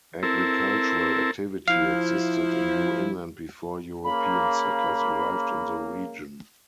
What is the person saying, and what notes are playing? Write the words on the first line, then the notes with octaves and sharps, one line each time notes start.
Agricultural activity existed in New England before European settlers arrived in the region.
C4 E4 A4 A#4
F3 E4 F5
C#3 A#3 B5